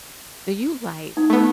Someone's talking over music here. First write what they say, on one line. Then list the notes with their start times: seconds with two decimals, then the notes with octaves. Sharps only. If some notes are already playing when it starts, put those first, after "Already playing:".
Do you like
1.17 D#4
1.30 A3 B3